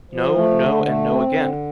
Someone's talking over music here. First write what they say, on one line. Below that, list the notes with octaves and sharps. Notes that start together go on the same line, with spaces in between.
No, no and no again!
F3
A3
D3
A3
C4
D3